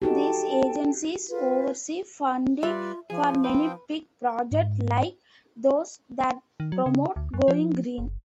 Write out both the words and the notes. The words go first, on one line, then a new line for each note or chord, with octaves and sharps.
These agencies oversee funding for many big projects like those that promote going green.
D#4 F#4 G4 A4 G5 A5
F4 B4
G3 F4 B4 D5 E5
F3 G#4 G#5
C4 B4 C5 G5
G#2
D#3
F#3
C#3
D2
F#2
F3
F#1